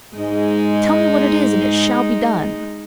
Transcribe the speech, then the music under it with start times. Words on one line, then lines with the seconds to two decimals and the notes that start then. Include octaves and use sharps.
'Tell me what it is, and it shall be done.'
0.15 G#2 G#3 D#4